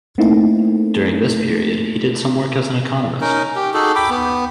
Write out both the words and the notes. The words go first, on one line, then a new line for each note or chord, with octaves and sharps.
During this period he did some work as an economist.
A3 A#3 C4 D#4 E4
C#4 D#4 A#4
G4
D#4 F#4 G#4 A4
G5 B5 D6
B3